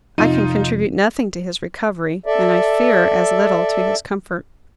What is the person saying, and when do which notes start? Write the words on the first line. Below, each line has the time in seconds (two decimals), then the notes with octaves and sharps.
I can contribute nothing to his recovery, and I fear as little to his comfort.
0.18 F2 C3 D#4 F4 D#7
2.26 A4 D5 E5